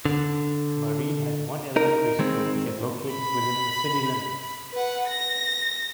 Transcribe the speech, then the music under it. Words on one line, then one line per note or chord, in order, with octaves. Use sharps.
Marine has one elementary school which is located within the city limits.
D3
D#4 A#4
D#3 G#3 C4
B5
B4 F#5
A#6